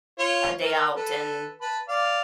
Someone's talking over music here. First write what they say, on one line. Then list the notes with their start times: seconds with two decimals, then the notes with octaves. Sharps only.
a day out, and
0.19 F4 C#5
0.64 A#4
0.96 A4 B4
1.61 B4 A5 B5
1.88 D5 F5